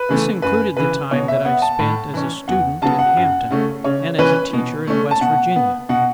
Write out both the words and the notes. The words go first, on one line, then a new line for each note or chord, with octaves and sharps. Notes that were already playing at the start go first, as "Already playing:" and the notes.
This included the time that I spent as a student at Hampton and as a teacher in West Virginia.
Already playing: B4
C#3 E3 A3
F#2 B4
C#3 E3 B4
B2 C#5
E5
B3 F#5
A5
A2
E3 C#4
E2 F#5
C#3 F#3 B3 A5
F#5
F#2
C#3 A3 C#4
C#3 C#5
E3 C#4 B4
B2
A3 C#4
A5
B2 F#5
B3
B2 F#5